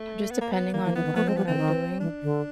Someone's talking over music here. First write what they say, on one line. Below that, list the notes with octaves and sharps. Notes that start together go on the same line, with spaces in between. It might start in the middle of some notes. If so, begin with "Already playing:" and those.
just depending on on what I'm doing.
Already playing: A3
B3
A#3
B3
E3 A#3
E3
E3 B3
D#3
A3 B3
G#3 C4
G3 B3
D#3 C4
D3
D#3
E3 D4
D3